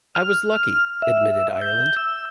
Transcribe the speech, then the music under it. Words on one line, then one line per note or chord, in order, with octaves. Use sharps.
"I was lucky," admitted Ireland.
F6
E5
G6
E6